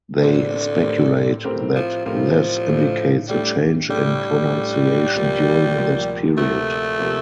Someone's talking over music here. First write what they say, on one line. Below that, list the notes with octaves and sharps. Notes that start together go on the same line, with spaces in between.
They speculate that this indicates a change in pronunciation during this period.
A2 D3 A3 C4 G4 A#4
A2 A3 C4 G4 A#4
A2 A3 C4 G4 A#4
F3
A2 F3 A3 C4 G4 A#4
A2 A3 D4
A2 G3 A3 D4
A2 G3 A3 D4
A2 A3 D4
D2 C3 F3 A#3
D2 C3 F3 A#3
D2 C3 F3 A3 A#3
C3 F3 A#3